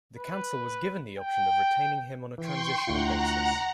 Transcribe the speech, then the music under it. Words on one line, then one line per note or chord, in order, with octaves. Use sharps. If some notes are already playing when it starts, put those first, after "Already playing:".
The council was given the option of retaining him on a transitional basis.
B4
G5
E3 G5 C6 C#6
D2 E4 F4 F#5 A#5